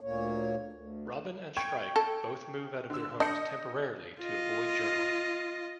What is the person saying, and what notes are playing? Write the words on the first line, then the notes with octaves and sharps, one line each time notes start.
Robin and Strike both move out of their homes temporarily to avoid journalists.
D2 A#2 A#3 C#5
D2
G5 C#6 G#6
A4
D3 E6
D4 D#5 G6 C#7
F4 D#5